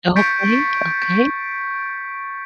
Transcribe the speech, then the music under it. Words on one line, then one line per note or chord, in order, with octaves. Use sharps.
Okay, okay.
C#6 G6 A6 B6 C#7 D7